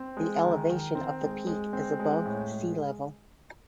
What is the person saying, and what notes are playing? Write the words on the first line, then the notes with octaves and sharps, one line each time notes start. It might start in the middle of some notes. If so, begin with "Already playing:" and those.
The elevation of the peak is above sea level.
Already playing: C4
G#3
D#3
D#3
C4
G#3
G#3
C4
G#3
A2
G#3